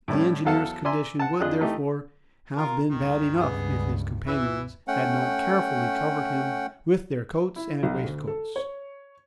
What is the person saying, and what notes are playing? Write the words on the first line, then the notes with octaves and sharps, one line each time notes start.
The engineer's condition would, therefore, have been bad enough, if his companions had not carefully covered him with their coats and waistcoats.
A2 G3 C#4
E2 F#3 A4 F5 F#5 A5
D5 E5 G#5 A#5 C6
F#5 A5
F2 D4 F4 G#4 D#5 F#6
E3 A3 D#4 G4
F4 A#4
C#2 G2 D#3
B3 G#4
E3 B4 E5
A3 C#4 F#5 G5
E4
B1
D2
A4
C#5